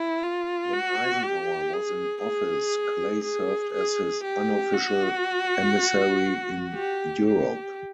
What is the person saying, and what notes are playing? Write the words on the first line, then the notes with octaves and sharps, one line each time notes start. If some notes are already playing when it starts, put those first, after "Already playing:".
When Eisenhower was in office, Clay served as his unofficial emissary in Europe.
Already playing: E4
F4
F#4
G4
G#4
G#4
G#4
G#4
G4
F#4
G4
G4